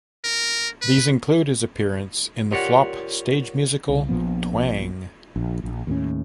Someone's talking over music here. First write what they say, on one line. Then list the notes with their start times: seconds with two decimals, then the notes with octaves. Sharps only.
These included his appearance in the flop stage musical Twang!
0.24 A#4
0.82 B4
2.52 F4 G4 A#4 C#5 D5 F#5
3.89 C2
4.09 A#1 A#2 F3 B3
5.36 A#1
5.64 A#1
5.87 D#2 A2 C#4